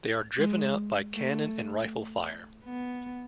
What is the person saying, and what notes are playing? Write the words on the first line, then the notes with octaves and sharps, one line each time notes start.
They are driven out by cannon and rifle fire.
G#3
A3
B3